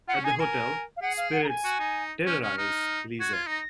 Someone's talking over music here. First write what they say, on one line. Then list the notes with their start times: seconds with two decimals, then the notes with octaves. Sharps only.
At the hotel, spirits terrorize Liza.
0.08 F4 F#5
0.16 C#4
0.24 D#4 G#5
0.32 G#4
0.40 A#4 G#5
0.97 F5
1.02 G#4 F#5
1.17 F5
1.32 F#5
1.44 A#5
1.49 G#5
1.64 F#4
1.80 D#4
2.26 C#4 F6
2.42 C#4 F6
2.58 D#4
3.20 F#4 G#6
3.34 F4
3.47 D#4 A#6